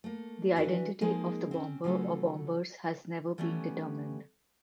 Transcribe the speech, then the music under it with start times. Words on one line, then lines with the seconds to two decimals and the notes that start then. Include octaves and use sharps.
The identity of the bomber or bombers has never been determined.
0.04 A3 A#3
0.56 E3 D4 F#4 B4
1.01 F3 G#3 A#3 D#4 G#4
1.51 C4 C#4
1.84 C#3 F#3 A3 F4 A4
3.38 E3 G3 A3 B3 C#4